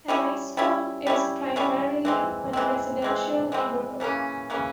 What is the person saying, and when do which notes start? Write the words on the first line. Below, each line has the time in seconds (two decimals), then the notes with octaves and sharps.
Annisquam is primarily a residential neighborhood.
0.08 G3 C#4 E4
0.57 G3 C#4 E4
1.07 G3 C#4 E4
1.56 G3 C#4 E4
2.05 E3 G#3 C4
2.53 E3 G#3 C4
3.02 E3 G#3 C4
3.52 E3 G#3 C4
4.00 C#3 E3 A#3 C#4
4.50 C#3 E3 A#3 C#4